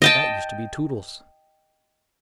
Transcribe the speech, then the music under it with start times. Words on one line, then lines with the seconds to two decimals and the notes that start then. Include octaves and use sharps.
That used to be Tootles.
0.02 D#5 G5 A5